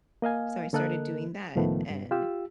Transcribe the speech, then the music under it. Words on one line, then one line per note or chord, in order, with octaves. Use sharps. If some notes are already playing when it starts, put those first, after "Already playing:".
So I started doing that, and
A#3 D#5 F5 G#5
D3 A#3 A4 A#4 D#5 F#6
C#2 A2 D#3 F3 A3 B3
G2
F4 G4 E6